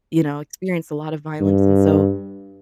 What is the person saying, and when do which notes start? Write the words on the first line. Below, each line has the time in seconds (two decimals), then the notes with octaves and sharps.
you know, experienced a lotta violence. And so
1.41 G2